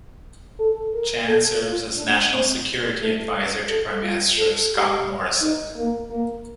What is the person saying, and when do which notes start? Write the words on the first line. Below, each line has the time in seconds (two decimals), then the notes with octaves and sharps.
Chan serves as National Security Adviser to Prime Minister Scott Morrison.
0.59 A4
0.94 A#4
1.28 A4
1.63 F4
1.97 D4
2.31 C4
3.00 A3
3.69 A4
4.03 F4
4.38 A4
4.73 G4
5.41 D#4
5.76 A#3
6.10 A#3